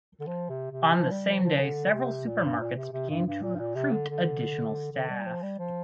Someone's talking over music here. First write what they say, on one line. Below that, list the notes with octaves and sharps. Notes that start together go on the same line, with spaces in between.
On the same day several supermarkets began to recruit additional staff.
D3
F3
C3
C3
F3
G3
F3
F3
F3
D3
C3
A#2
G2
A#2
C3
C3
G2
G2
A#2
G2
A#2
C3
D3
D3
D3
G3
F3
G3
F3